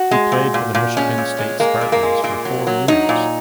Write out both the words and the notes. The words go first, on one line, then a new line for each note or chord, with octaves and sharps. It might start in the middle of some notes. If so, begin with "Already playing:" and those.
He played for the Michigan State Spartans for four years.
Already playing: F#4
G#3
A#2
A#2
A#2
G#3 C#4
A#2
G#3
G#3 A#3
A#2
A#3
G#3
A#2 A#3
F#3
F#3
F#3 D#4
A#2